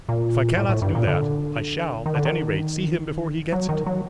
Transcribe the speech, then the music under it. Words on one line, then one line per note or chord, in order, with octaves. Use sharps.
'If I cannot do that, I shall at any rate see him before he gets it.
A#2
A2
A2
G2
A#2
D3
D#3
D3
D#3
F#3
D#3
F#3